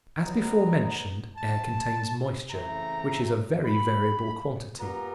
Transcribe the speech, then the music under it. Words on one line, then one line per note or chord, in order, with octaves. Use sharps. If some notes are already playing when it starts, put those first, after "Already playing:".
As before mentioned, air contains moisture, which is a very variable quantity.
B2 F#3 B3 A#5
A5
C#3 E3 A3 C4 A#5
B5
A#2 G3 B3 A#5